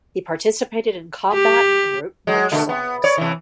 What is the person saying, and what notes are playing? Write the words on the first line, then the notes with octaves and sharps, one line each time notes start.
He participated in combat and wrote march songs.
G4
F#3 G#3
B2 D3 A3
B3
C#5 D5
C3 E3